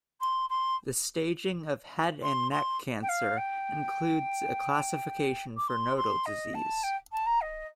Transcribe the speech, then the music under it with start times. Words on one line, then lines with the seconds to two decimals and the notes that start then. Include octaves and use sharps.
The staging of head and neck cancer includes a classification for nodal disease.
0.20 C6
0.49 C6
2.22 C6
2.51 C6
3.02 G5
3.08 F5
3.37 G5
5.56 D6
5.67 C6
5.97 C6
6.25 D#5
6.54 A5
6.83 G5
7.11 A5
7.26 A#5
7.41 D#5